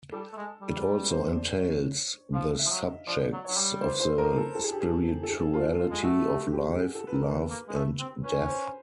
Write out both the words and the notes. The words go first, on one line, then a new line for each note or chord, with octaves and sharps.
It also entails the subjects of the spirituality of life, love and death.
G3 A4
A3
G#3
G3
B4
C5
D5
C#5
F3 F5
E5
F3
F#3
D#5
F3 D5
F#3
F#3 C#5
G3
C5
B4
C5
A#4
A4
A4
G#4
G4
G#4
A4
G#4
F4
F4
G#3
A3 F#4
G4
G4
G#4
A4
B4
A#4
B4
A#3
G#3
A3
C4
C#4 B4
C5